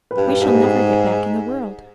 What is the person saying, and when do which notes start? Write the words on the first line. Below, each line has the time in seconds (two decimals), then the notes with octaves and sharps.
We shall never get back in the world!
0.11 B4
0.17 G2
0.28 G4
0.40 G#2
0.46 G4
0.64 G#4